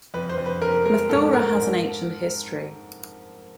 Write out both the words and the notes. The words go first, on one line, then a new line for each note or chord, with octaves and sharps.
Mathura has an ancient history.
F2 B4
C5
F2
B4
F2 A#4
G#3 A#4
G#2 A4
G#2 A#4
G#2